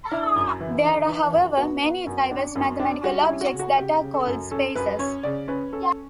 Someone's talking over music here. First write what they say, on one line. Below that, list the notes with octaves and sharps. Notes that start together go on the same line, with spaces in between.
There are however, many diverse mathematical objects that are called spaces.
D4 E4
F#2
E3
D4
E3
F#2
B3 F#4
B3
F#2
D4
F#2
D4
G3 F#4
E4
C#4
F#4
C#3
F#4
C#3 G4
C#3
A4
F#2
C#4 A4
F#2 B4
C#4 C#5
C#3 D5
C#4 B4
C#4 A4